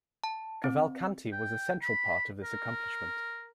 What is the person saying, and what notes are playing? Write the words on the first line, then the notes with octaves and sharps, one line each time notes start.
Cavalcanti was a central part of this accomplishment.
A5
C4
G5
B5
A#4